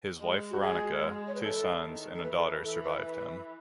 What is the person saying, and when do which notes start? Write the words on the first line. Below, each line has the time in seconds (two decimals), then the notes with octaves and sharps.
His wife Veronica, two sons, and a daughter survived him.
0.20 G#3
0.51 F#4
0.61 G#3 G#4
1.28 C#5
1.35 B4
1.42 E3 A4
1.82 D#3
2.15 A4
2.23 E3 B4
2.35 A4
2.43 B4
2.63 E3 A4
2.84 B4
3.04 B4